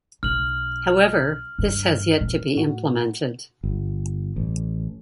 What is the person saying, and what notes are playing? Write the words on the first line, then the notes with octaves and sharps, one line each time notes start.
However, this has yet to be implemented.
B1 F6 F#7
G2
A#2
A2 F#4
G1
A1